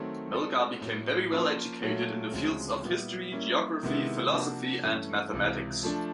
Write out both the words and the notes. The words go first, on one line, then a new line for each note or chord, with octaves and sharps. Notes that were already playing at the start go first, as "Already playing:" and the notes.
Melgar became very well educated in the fields of history, geography, philosophy and mathematics.
Already playing: D#3 F#3 A3 C4
G#3 C4 F4 A4 D5
A2 F#3 A#3
F3 A#3 C#4 F4
A#2 F#3 A3
D2 C#3 F3 G#3 C4
A#2 G3 B3 E4
G3 A#3 C#4 E4
C3 D#3 G#3 B3 E4
C3 F3 A#3 D4 F#4
G2 E3 A3 C#4
C#2 C3 E3
F3 A3 D4